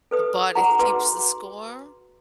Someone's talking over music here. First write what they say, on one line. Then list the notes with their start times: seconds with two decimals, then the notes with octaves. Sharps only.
The Body Keeps the Score?
0.11 A4 B4 D#6
0.55 F#4 G#4 F#5 A#5
0.79 F#4 B4 C6 D6